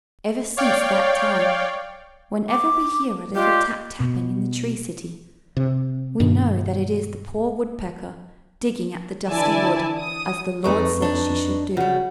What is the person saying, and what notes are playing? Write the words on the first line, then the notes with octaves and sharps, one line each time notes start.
Ever since that time, whenever we hear a little tap-tapping in the tree city, we know that it is the poor Woodpecker digging at the dusty wood, as the Lord said she should do.
C#5 D5 F5 G5
D6
G3 G#3 F4 G4
B2
C3
G2 B2 D#3
D3 E3 E4 D5 G#5 A5
D#6
F2 G#3 A3 D#4 B4 C#6
D4 D#4
C#3 G3 F#4